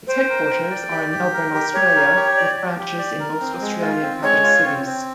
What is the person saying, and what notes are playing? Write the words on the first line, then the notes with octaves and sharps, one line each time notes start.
Its headquarters are in Melbourne, Australia, with branches in most Australian capital cities.
C5 G5
A#4
G5
D5
G4
G4
A#4
G4
G4 C#5
A#4
G4
D5
G4
G4
D5
A#4
C4
G#3
F4
C4
G#3 C#5
F4
C4
C4